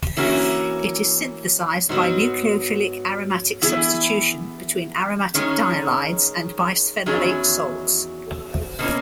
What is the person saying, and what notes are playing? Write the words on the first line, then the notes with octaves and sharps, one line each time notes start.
It is synthesized by nucleophilic aromatic substitution between aromatic dihalides and bisphenolate salts.
E3 A#3 C#4 F#4
G#2 F#3 B3 F#4
E3 B3 E4 G#4
D#3 G#3 C#4
E2 D#3 F#3 C#4 G#4
B2 A#3 C#4